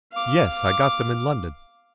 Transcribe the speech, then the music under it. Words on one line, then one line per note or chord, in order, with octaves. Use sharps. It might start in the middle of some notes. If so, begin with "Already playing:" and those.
"Yes, I got them in London."
F5 D6